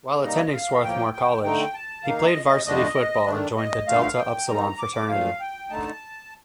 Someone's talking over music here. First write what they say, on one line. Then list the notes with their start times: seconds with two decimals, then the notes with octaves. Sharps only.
While attending Swarthmore College he played varsity football and joined the Delta Upsilon Fraternity.
0.22 C3 G3 A#3 D#4 D#5
0.52 F5
0.83 A2 F3 A#3 G5
1.13 G5
1.44 D3 A3 D#4 G5
1.74 A5
2.04 D#3 A#3 D#4 F5
2.25 D#5
2.45 D#5
2.66 F2 D3 A3 D4 D#5
3.26 D#3 A3 D4
3.57 D#5
3.87 G2 D3 F3 A3 F5
4.18 G5
4.48 D#3 G3 C4 D#4 A#5
4.79 D6
5.09 A#2 F3 A3 F5
5.40 G5
5.70 D3 A3 D#4 A5